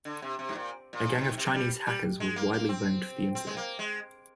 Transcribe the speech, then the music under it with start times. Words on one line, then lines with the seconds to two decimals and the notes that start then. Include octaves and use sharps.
A gang of Chinese hackers was widely blamed for the incident.
0.05 D3
0.22 C3
0.39 C3
0.49 G#2
0.55 A#2
0.93 A#2
1.15 G#2
1.38 C3
1.54 G3
1.86 G3
2.20 G#3
2.36 A#3
2.53 A#3
2.69 C4
3.35 C4
3.47 G#3
3.57 A#3
3.79 G#3